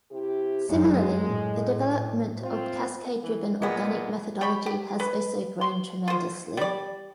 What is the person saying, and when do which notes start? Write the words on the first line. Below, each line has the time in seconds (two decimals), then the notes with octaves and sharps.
Similarly, the development of cascade-driven organic methodology has also grown tremendously.
0.12 C3 E4 G4
0.69 F#2 G#3
1.25 A2
2.42 C4 F4
3.23 E3
3.62 A#2 G#3 B3
4.41 G3 C#5 G5 B5
4.66 G4
5.00 B4
5.61 C6
6.08 F4 C5
6.57 G3 D5